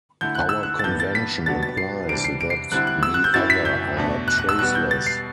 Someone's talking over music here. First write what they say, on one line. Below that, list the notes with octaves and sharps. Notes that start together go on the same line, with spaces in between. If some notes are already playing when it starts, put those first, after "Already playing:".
Our convention implies that the other are traceless.
D3 A3 E4 G6
F#6
E6
F#6
A6
G2 E3 B3 G6
A6
B6
B2 F#3 B3 D4 A6
A6
C7
C3 E3 G3 D4 D7
C7
D7
C7
D3 G3 C4 E4 F#6
F#6
E6
F#6
G6
F#2 F#3 C4 E4 A6
B6
G6
E2 B2 A3 D4
F#6
F#6
E6
B2 G3 B3 F#6
G6
A6
C7